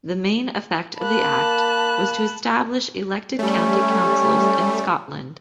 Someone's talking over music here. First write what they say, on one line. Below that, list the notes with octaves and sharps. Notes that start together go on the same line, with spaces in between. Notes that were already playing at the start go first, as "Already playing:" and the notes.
The main effect of the Act was to establish elected county councils in Scotland.
A#3 A5 B5 F#6
G3 A3 C#4